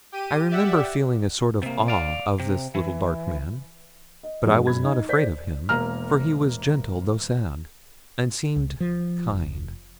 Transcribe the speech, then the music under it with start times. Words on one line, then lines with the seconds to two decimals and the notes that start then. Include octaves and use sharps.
I remember feeling a sort of awe of this little dark man; but I was not afraid of him, for he was gentle, though sad--and seemed kind.
0.12 G4 D#7
0.50 G4 D5 E5 F#5 E6
1.63 C3 A#3
1.88 D5 F5
2.40 C3
2.75 E3
4.23 D#5
4.46 E2 G2 F3 G#3
4.67 F#2 B5 G#6
4.83 D#4
5.09 C5 D5 G6 B6
5.69 E1 A#3 A#5 F6
8.56 C#2
8.80 F3
9.28 F1